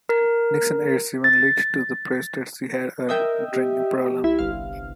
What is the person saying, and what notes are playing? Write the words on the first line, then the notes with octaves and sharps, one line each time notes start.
Nixon aides even leaked to the press that she had a "drinking problem".
A#4
A6
A#4 D#5 E5 G5
G4
C2 E4
G1 C2 F5